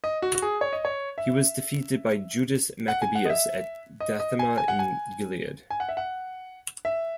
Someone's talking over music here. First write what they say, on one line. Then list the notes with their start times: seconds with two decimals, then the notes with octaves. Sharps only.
He was defeated by Judas Maccabeus at Dathema in Gilead.
0.04 D#5
0.22 F#4
0.35 F#4
0.42 G#4
0.61 C#5
0.73 D#5
0.85 C#5
1.18 E5
2.88 F#5
3.02 G#5
3.15 F#5
3.25 D#5
3.30 E5
4.00 D#5
4.20 D#5
4.39 G#5
4.58 G#5
4.68 F#5
4.79 G#5
5.70 G#5
5.80 F#5
5.89 E5
5.97 F#5
6.85 E5